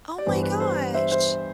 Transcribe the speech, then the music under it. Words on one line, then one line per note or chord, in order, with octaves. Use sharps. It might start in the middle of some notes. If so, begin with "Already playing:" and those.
Oh my gosh.
D5
G2 E3 B3 C5
B4
C5
C5 E5
C5